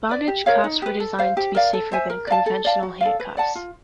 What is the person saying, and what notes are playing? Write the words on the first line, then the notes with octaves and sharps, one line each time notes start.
Bondage cuffs are designed to be safer than conventional handcuffs.
B4 D5
G4
A#4 C#5 F5
D#4
G4 B4
A4
C5 F5
G4
A#4 D5 F5
A4
C5 E5 G#5
A#4
D5 F5 A5
A4
D5 F5 A5
F#4
A4 D5 F5
B4
D5 F#5 A5
F4